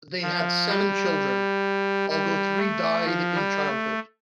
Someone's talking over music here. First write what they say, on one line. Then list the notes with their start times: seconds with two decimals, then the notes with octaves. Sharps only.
They had seven children, although three died in childhood.
0.22 F3
0.69 G3
2.10 G3
2.57 A3
3.05 F3
3.35 G3
3.67 A3